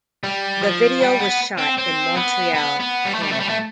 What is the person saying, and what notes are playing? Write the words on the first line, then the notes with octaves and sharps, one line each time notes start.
The video was shot in Montreal, Canada.
G3
F3
G3
B3
C4
C4
B3
B3
B3
G3
A3
G3
A3
G3
A3